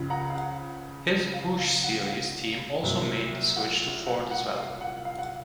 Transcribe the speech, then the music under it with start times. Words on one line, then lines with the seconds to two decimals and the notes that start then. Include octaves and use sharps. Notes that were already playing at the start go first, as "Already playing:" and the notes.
His Busch Series team also made the switch to Ford as well.
Already playing: C#2 C#3 F3
0.10 F#5 A#5
0.30 F5
0.35 F#5
1.34 F5
1.59 F5
1.84 F#5
2.00 F#5
2.08 F5
2.83 C2 A#2 F#3 A#3
3.56 F#5
4.06 F#5
4.31 F#5
4.56 F5
4.81 F#5
5.05 F5
5.19 F#5